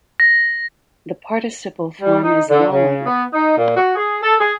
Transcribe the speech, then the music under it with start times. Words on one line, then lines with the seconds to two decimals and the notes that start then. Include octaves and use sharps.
The participle form is lolling.
0.20 A#6
2.02 G3
2.23 D#4
2.49 D3
2.70 C#3
3.06 B3
3.33 D#4
3.56 A#2
3.77 F#4
3.95 G#4
4.22 A4
4.39 G#4